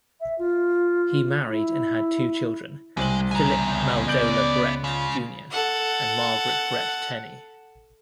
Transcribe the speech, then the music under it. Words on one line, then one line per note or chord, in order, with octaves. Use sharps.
He married and had two children: Philip Milledoler Brett, Junior and Margaret Brett Tenney.
E5
F4
E4
C2 G#3 C5 F#7
C#2 B3 G#5 A#5
D5 G6 D7 F#7
C#3 F4
A4 F#5